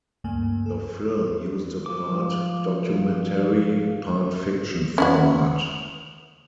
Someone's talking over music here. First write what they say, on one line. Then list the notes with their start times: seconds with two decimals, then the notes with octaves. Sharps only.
The film used a part-documentary, part-fiction format.
0.24 D2 G2 C#3 A3 A#3 G#5
0.66 A4
1.86 F3 D6
4.98 C#4 E4 F#4